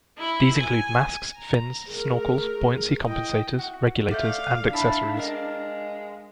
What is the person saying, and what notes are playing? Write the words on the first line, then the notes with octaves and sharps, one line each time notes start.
These include masks, fins, snorkels, buoyancy compensators, regulators and accessories.
E4
G#5
A#5
A3 G#4 A#4
E4 D#5 G5
F#4
A3 D5 F5 G6
D4 E4 F5 A5 B5
G#3 A#4 F5